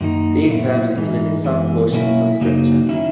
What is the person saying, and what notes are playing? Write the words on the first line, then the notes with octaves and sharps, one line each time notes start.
These items included some portions of Scripture.
F#2 D#3 A#3 D#4
A#2 F#3 B3 E4
G#2 E3 G#3 D#4
F#2 E3 G#3 B3
B2 F#3 A#3 C#4 E4
F#2 C#3 F#3 A#3 D#4
D#3 F#3 C#4 E4